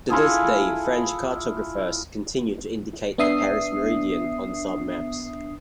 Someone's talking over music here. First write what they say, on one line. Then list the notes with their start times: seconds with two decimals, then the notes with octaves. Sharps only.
To this day, French cartographers continue to indicate the Paris meridian on some maps.
0.09 E4 F4 G#4 A4
3.18 B3 D4 E5 D#6 C7